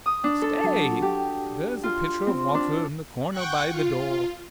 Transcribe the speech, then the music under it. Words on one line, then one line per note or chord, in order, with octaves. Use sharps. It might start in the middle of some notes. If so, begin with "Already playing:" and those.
'Stay. There's a pitcher of water in the corner by the door.
D#6
D4
A4
F#3
G4
F4
C4
D4
F#5 G5 C#6 F#6
F4